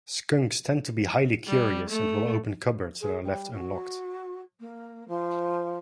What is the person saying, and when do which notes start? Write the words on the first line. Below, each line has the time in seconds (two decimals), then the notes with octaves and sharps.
Skunks tend to be highly curious and will open cupboards that are left unlocked.
1.47 G3
1.90 A3
3.00 G#4
3.23 G3
3.53 F#4
4.60 A#3
5.07 F3